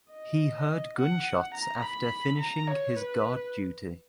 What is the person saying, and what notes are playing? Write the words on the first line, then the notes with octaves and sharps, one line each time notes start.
He heard gunshots after finishing his guard duty.
D#5
F#5
A#5
B5
A#5
C#5
B4